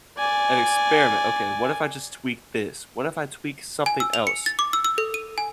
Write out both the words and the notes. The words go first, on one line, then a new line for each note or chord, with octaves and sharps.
and experiment, "Okay, what if I just tweak this? What if I tweak something else?
D5 G#5
G#5
E6
F7
C#7
A6
D6
E6
E6
A4
D#7
G#5